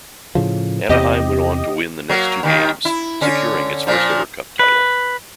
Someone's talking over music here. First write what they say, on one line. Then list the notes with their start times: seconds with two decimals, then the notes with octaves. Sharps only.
Anaheim went on to win the next two games, securing its first-ever Cup title.
0.35 A2 C#3 F3
0.89 E2 C3 G4 D#5
2.09 F#3 A#3
2.43 D#2 D#3
2.85 E4
3.21 D3 C#4
3.87 A#2 F3
4.59 B4